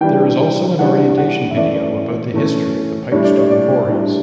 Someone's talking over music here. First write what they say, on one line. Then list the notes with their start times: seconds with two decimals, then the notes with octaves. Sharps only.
There is also an orientation video about the history of the pipestone quarries.
0.01 E3 G3 D4 G5
0.79 E3 G3 D4 F#5
1.18 F#5
1.51 E5
1.56 E3 A3 C#4 D5
2.34 E3 A3 C#4
3.12 A2 G3 D4 C#5
3.24 D5
3.37 C#5
3.50 D5
3.89 A2 G3 D4